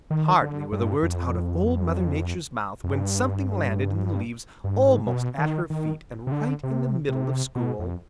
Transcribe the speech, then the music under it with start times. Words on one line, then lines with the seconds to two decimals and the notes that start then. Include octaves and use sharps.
Hardly were the words out of Old Mother Nature's mouth when something landed in the leaves almost at her feet and right in the middle of school.
0.10 D#3
0.42 D3
0.72 G2
1.03 F2
2.84 F2
2.90 G2
4.64 G2
4.76 G#2
5.07 B2
5.38 D#3
5.70 D#3
6.27 C3
6.32 D3
6.63 C3
7.09 C3
7.55 B2
7.79 F2